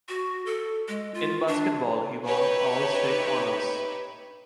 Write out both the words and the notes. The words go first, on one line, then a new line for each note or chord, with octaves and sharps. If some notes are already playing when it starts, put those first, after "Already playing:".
In basketball, he won All-State honors.
F#4
A4
G#3
F4
D4
D#4 G4 B4 C#5 E5 B5